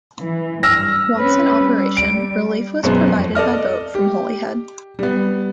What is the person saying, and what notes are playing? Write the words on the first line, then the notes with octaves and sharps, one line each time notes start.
Once in operation, relief was provided by boat from Holyhead.
E3
G2 E6 F6 A#6
C4 C#4 B4
G3
D7
F#2 B2 G#3 B3 C4
F2
A4 D5 D#5 F6
G4
G3 B3